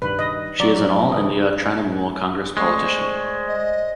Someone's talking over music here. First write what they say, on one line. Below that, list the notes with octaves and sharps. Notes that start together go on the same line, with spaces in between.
She is an All India Trinamool Congress politician.
G2 D#3 B4
D#5
F#3 D5 A#5 C#6
C#3 E3 D#6
G#3 A3 C5 D5 C#6
D#5